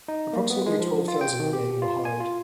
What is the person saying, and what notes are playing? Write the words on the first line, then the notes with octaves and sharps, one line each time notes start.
Approximately twelve thousand remain behind.
D#4
A#3
B3
G#3
F3
F4
G5
D#3
G4
F4
G#5
F4